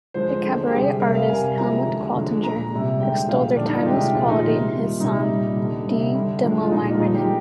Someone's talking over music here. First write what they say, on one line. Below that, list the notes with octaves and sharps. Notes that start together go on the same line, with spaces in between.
The cabaret artist Helmut Qualtinger extoled their timeless quality in his song "Die Demelinerinnen".
D3 F3 G#3 C5
D3 G#3
G4
C3 G3 G#4
C3 G3 A#4
F5
C3 G3 G#5
C3 F3 G#3 A#5
D3 G#3
D3 F3 G#3
A#2 G#3 A#5
C3 G3
D3 G#3 G5
G5
A#2 F3 G#3 F5
D3 G3 D4
D#4
F4
C3 D#3 G#3 G4
A#2 F3 G#3 F4
D#4
C3 D#3 G#3 F4
A#2 G3
C3 G3 D#4
A#2 G3
D3 G3
C3 G3
D3 G3
D3 F3 G#3
F4
A#2 G3 D#4
F4
D3 F3 G#3 D#4
G4